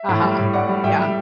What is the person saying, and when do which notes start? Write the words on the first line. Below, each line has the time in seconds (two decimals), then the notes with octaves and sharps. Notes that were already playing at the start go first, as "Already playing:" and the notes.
Uh-huh, yeah.
Already playing: E5
0.09 A2
0.23 G3
0.39 A2
0.53 A2 D5 F#5
0.69 G3
0.84 A2 E5 G5
0.99 G3